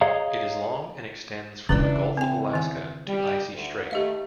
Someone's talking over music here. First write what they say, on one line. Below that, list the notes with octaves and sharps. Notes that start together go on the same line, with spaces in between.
It is long and extends from the Gulf of Alaska to Icy Strait.
G#4 C#5 D#5 F5 A#5
C#3 E3 C#4 D4 E4 B4 D5
E2 C4 G5
D#3 G#5
G3
D2
D#2 A3 G4 D#5 F5